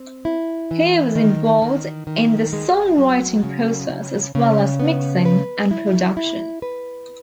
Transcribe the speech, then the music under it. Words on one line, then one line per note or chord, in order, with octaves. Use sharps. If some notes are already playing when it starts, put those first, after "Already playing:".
He was involved in the songwriting process as well as mixing and production.
Already playing: C4
E4
E3
D#3
D#3
D#3
G#3
F#3
C#3
C#3
C#3
B3
B4
E4
E4
B4